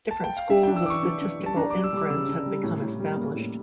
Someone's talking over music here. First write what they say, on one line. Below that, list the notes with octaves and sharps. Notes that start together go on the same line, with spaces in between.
Different schools of statistical inference have become established.
A5
G5
F5
D4 E5
D4 G5
E6
E3 C#6 D6
D4
D4
G3
A5
D4 A#5
G3 D6
E6
G3 D6
C#3 E6
D4
G3
A2
A2
G3
A#3
A2